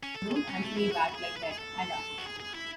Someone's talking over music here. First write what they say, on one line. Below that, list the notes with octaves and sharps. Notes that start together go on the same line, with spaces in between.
Don’t answer me back like that, Ada.
C#4
A4
A4
G#4
C#4
A3
E4
F#4
F#4
G#4
B4
A4
G#4
A4
F#4
G#4
G#4
E4